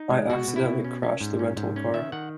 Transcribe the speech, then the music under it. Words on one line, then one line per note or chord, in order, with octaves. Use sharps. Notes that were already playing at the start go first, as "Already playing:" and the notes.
I accidentally crashed the rental car.
Already playing: D#4
G#3
B2 F#4
B2
E4
B2
C#4
C#4
G#2
C#4
G#2
C#4
D#3 E5
D#3 F#5